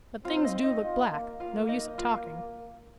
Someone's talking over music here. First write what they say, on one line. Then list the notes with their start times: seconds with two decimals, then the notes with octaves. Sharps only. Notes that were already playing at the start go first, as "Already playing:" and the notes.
But things do look black, no use of talking.
0.24 C4 F4 F5
0.37 C5
0.44 D#4 D#5
0.63 D#4 D#5
0.83 F4
1.12 A#3
1.40 A#3 F4 F5
1.69 D#4 D#5
1.98 F4 F5